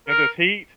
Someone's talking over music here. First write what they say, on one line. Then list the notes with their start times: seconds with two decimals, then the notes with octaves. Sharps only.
In this heat?
0.09 A#4